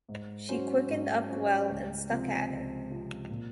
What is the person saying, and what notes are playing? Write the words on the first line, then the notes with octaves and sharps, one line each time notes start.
She quickened up well and stuck at it.
G#2
F#3 C#4 F#4 C5
G#2
F#3 C#4 F#4 C5
C#2
C3 F3 C4
C#2
C3 F3 C4
A#2